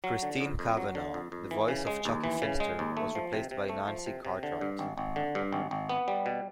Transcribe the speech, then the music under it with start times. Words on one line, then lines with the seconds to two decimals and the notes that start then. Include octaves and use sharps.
Christine Cavanaugh, the voice of Chuckie Finster, was replaced by Nancy Cartwright.
0.04 F#3
0.23 D3
0.40 F2
0.59 F2
0.77 F#3
0.95 D3
1.14 F2
1.32 F2
1.51 E3
1.68 C#3
1.87 G#3
2.05 D#2
2.24 E3
2.42 C#3
2.60 G#3
2.79 D#2
2.97 A3
3.15 F3
3.33 C3
3.51 C3
3.69 A3
3.88 F3
4.06 C3
4.25 C3
4.43 D3
4.61 G2
4.79 G#1
4.98 G#1
5.16 D3
5.35 G2
5.53 G#1
5.71 G#1
5.89 B3
6.08 G3
6.26 B2